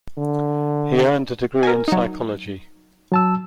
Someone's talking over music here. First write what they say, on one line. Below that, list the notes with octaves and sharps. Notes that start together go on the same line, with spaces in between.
He earned a degree in psychology.
D3
A#4 G#5
F#3 D#4
F#3 A5 E6